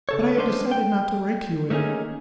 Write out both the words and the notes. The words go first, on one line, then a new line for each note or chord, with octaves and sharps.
But I had decided not to write to you any more.
C#3 A4 C#5
G#3 C#4 D4 B4 C5
G5
A3 A#3 C#4 D#4 G#4